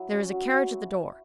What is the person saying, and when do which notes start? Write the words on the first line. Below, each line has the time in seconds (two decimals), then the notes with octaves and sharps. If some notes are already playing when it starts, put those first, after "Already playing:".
There is a carriage at the door.
Already playing: F#3 E4 C#5
0.11 C#4
0.32 F#3
0.53 F#3